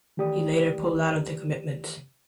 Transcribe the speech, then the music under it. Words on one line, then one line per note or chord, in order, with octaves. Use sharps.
He later pulled out of the commitment.
D#3 E3 A3 G4 D5 D#6